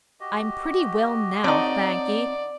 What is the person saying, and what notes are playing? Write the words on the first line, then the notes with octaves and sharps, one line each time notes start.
I'm pretty well now, thank ye.
F#4 G4 D#5
D3 C4 D#4 C#5 D5 A5